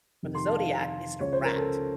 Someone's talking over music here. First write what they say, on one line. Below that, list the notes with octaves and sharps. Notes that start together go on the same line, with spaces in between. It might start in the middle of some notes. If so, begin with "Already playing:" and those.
for the zodiac is the rat.
F2 C3 D#3
C6
A5
F5
C#2 C#3 F3 C#5
C5
A#4
A4